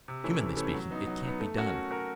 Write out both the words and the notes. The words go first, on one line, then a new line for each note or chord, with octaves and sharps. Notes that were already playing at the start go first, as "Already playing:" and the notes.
Humanly speaking, it can't be done.
C3
E3 A3 C#4 E4
C3
E3 A3 C#4 E4
F#3
B3 D#4
F#3
B3 D#4
A3
C#4 F#4 A#4
A3
C#4 F#4 A#4